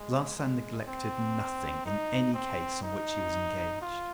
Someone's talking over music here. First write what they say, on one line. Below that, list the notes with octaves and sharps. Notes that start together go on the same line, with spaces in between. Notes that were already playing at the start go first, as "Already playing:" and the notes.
Larsan neglected nothing in any case on which he was engaged.
Already playing: G#3
G#3
C4
D#4
C4
D#4
F4